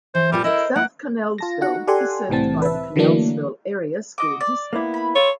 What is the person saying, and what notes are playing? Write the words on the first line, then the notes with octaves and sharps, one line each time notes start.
South Connellsville is served by the Connellsville Area School District.
E3 C5
A#2 G3 C4 F4
E4 A#4 C5 D#5
A#3 F#5
F4 A5 A#6
D#4 F#4 F#5
G4 A4 D5 F#5 G#5 C6
C2 A2 E3 C4 A5
B4 E5
D3 E3 F#3 A3 A#3 D4
F#4 D#5 D6
D5
A#3 B3 E4
B5
F4 A4 C#5